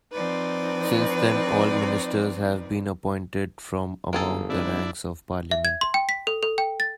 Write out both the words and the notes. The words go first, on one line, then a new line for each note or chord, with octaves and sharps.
Since then, all ministers have been appointed from among the ranks of Parliament.
F3 C4 D#4 B4 D5
G1 A#3 G#4 A4
G3 C4 D4 E4
E5
G#6
C6
G5
B6
A4
A4
G5
A6